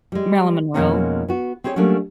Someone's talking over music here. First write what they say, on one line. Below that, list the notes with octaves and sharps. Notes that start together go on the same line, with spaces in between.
Marilyn Monroe.
G3 G#3
F2 B2 G#3 A#3 C#4 D#4
B3 F#4
C4 C#4 G#4 A4 C#5
F#3 G3 A3 A#3 C#4 D4